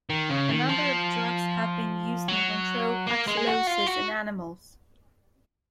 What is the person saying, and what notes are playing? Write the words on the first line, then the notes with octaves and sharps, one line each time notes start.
A number of drugs have been used in control fasciolosis in animals.
D#3
C#3
D#3
F3
F#3
A#3
G#3
G#4
F#4
F4
F#4